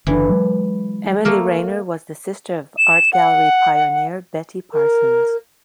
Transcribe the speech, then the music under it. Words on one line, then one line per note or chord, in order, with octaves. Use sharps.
Emily Rayner was the sister of art gallery pioneer Betty Parsons.
F#1 D3 E3 D4
F#3 G#3
A3 A#3 A#4
E7
F#5
A#4